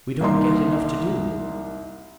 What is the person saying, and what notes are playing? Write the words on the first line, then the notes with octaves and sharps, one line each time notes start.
We don't get enough to do.
C2 A#3 D#4 C6